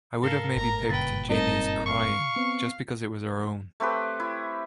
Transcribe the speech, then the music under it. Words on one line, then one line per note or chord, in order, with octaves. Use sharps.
I would have maybe picked Jamie's Cryin, just because it was our own.
G#2 A4 A#4 F5
G1 A2 A#5
F#1 G2 A#2 C#3 B4 G5 A6
G3 C4 D#4 A#4 D#5 A5
F5 C#6
B3 C4
A3 C4 G4 B4
E4